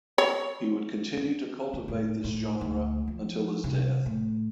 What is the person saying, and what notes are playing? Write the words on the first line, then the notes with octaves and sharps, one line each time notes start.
He would continue to cultivate this genre until his death.
C#5
D3
A2
A2
D2
F3
C3
A2